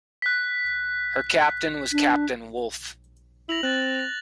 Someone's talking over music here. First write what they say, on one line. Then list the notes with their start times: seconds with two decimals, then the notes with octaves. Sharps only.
Her captain was Captain Wulff.
0.22 F#6 B6
1.92 D4
3.49 E4 A#6 F7 F#7
3.63 C4 F#6 A6
3.95 A#6 F7